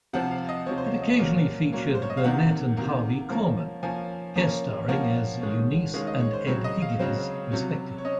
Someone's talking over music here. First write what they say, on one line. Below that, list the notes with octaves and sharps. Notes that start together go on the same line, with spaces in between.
It occasionally featured Burnett and Harvey Korman guest-starring as Eunice and Ed Higgins, respectively.
C3 F3 C4 F#5
F5
D#5
C3 F3 C4 C#5
C5
C#5
D#5
A#2 F#3 A#3 C#4 F5
A#2 F#3 A#3 C#4
C5
C#5
D#5
F5
C3 D#3 A#3 F#5
C3 D#3 A#3
F3 A#3 C#4
F3 A#3 C#4 G#5
F3 A#3 C#4
F3 A#3 C#4 F#5
D#3 G#3 C#4
D#3 G#3 C#4 F5
D#5
C#5
C5
C#3 F#3 C4 C#5
D#5
F5
C#3 F#3 C4
C3 F#3 C#4
C#5
C#4 D#5